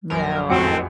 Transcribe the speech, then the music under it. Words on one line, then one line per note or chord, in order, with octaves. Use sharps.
No, I
A#1 F#2 A#4
F2 A2 G#3 A3 C4 F#4 C#7